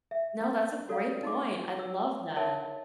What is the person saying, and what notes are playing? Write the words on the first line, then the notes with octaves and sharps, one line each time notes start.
No, that's a great point, I love that.
E5
F#4 A4 C#5 D5 F5
D#4 C6 D6
C#5 E6
D#4 A#4 C#5 E5 G#5 A5
D#5